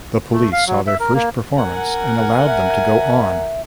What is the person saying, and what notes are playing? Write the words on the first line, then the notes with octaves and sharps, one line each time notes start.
The police saw their first performance and allowed them to go on.
A3
F5
F#3
E5
A#4
A#3
A#4 F#5 G#5
E5